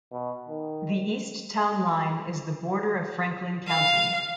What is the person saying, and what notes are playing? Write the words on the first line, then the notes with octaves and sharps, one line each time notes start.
The east town line is the border of Franklin County.
B2
D#3
F5